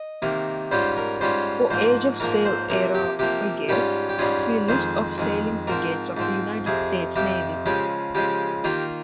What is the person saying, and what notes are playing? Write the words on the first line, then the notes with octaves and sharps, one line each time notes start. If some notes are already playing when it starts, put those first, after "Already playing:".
For age-of-sail era frigates, see List of sailing frigates of the United States Navy.
Already playing: D#5
C3 D#3 A#3
G#2 G3 C#4 F4 C5
A#4
G#2 G3 C#4 F4 C5
G#2 F3 A#3 C5
G#2 F3 A#3 A#4
C5
C3 F3 A#3 A#4
G4
C3 F3 A#3 G4
G#2 G3 C#4 F4 G4
G4
G#2 G3 C#4 F4 G#4
F2 D#3 G#3 C5
F2 D#3 G#3
G#2 F3 C4 A#4
G#2 F3 C4
F2 C3 F3 G#4
F2 C3 F3 G4
C#3 F3 G#3 G4
C#3 F3 G#3 G4
D#3 A#3 F4 G4